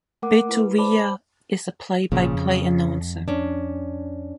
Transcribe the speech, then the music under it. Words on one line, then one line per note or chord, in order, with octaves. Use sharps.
Beto Villa is the play-by-play announcer.
A3 A#3 A#4 F#5 D6
E4 B4
C5 D5 A5 B5 D6
G#1 A#2 C#3 F3
F2
C#4 D4